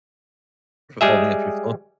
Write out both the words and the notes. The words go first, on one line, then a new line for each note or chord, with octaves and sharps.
For holding up your phone.
G3 G#3 G#4 E5